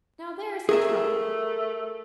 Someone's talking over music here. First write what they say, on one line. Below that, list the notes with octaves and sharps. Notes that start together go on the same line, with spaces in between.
Now, there's a trouble.
A3 G#4 A#4 E5